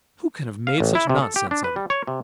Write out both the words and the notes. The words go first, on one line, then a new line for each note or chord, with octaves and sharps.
"Who can have made such nonsense of it?"
F5
A1
E4
C3
A4
G4
D4
B4
G3
C#5
C3